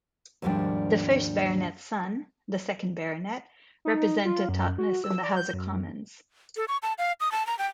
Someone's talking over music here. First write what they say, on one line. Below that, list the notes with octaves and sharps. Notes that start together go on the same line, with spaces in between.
The first Baronet's son, the second Baronet, represented Totnes in the House of Commons.
D#2 G#2 F3 G3 D4 G5
D#4
F4
F#2
F#4
E6
D5
G6
F#2
A4
C#6
A5
F5
D#6
A5
A#5
G5